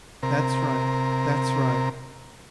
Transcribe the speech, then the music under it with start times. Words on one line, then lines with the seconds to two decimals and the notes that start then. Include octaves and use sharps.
That's right, that's right.
0.23 C3 A#4